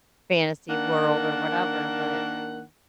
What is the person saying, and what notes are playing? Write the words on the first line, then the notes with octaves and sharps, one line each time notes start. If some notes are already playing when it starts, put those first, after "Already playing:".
fantasy world or whatever, but
D#3 A#3 D4 F#5